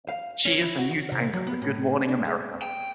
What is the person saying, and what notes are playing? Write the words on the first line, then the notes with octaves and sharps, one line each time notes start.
She is the News Anchor for "Good Morning America".
F5
C#4
E4
F#4
C3
F#3
B3
A2
D4
G#3
G5